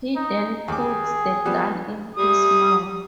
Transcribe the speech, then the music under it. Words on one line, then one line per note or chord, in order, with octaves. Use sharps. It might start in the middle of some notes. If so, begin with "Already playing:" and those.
He then puts the gun in his mouth.
D#4
D#2 G#4 D6
F3 G3 B3
G3 D#6